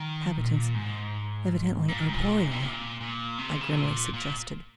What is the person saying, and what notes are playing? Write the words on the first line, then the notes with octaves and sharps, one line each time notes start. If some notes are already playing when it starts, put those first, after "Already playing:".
"Inhabitants evidently arboreal," I grimly suggested.
Already playing: D#3
A#2
G#2
A#2
G#2
A#2
G#2
C3
A#2
A#2
C3
C#3
C3
A#2
A#2